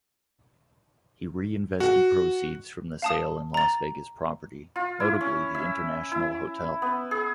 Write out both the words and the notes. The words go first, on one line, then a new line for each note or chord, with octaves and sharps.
He reinvested proceeds from the sale in Las Vegas property, notably the International Hotel.
F#4
F5 A5 D#6
A#5 A6
F4
E4
C#4
E5
E4
B3
G#4